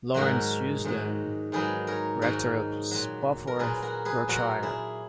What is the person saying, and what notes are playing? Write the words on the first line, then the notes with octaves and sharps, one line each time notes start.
Laurence Eusden, rector of Spofforth, Yorkshire.
G#2 D#3 F#3 F#4 A#4
G#2 D#3 F#3
G#2 D#3 F#3 G#4 B4
A#4 C#5
G#2 D#3 F#3 A#4 C#5
A#2 F#3
A#4
A#2 F#3 G#4 B4
F#4 A#4
G#4 B4
A#2 F#3 F#4 A#4
E4 G#4